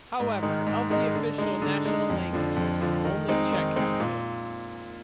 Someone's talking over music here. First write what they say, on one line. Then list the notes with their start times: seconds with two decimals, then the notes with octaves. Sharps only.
However, of the official national languages, only Czech has it.
0.20 G#2
0.43 D#3 G#3 D#4
0.66 G#2
0.90 D#3 G#3 D#4
1.15 D3
1.38 G#3 D#4
1.62 D3
1.85 G#3 D#4
2.10 F2
2.33 D3 F3
2.56 F2
2.81 D3 F3
3.05 D#3
3.28 G#3 C4 D#4
3.52 D#3
3.76 G#3 C4 D#4
4.00 A#2